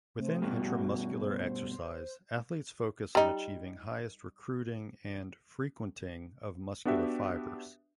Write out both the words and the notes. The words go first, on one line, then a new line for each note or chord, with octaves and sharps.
Within intramuscular exercise athletes focus on achieving highest recruiting and frequenting of muscular fibres.
C3 A3 C4
G2 B2
F#4
C5
G3 D#4
B3 D4 F#4 G4 E5